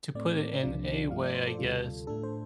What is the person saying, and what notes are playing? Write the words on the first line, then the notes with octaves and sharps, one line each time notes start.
To put it in a way, I guess,
A2 A3 C4 D5
C2 C3 F3 D4 F4
G2 F3 A3 F4 F5
D5
C5
A4
D2 C3 G3 F4
A2 A3 D4 A4
C5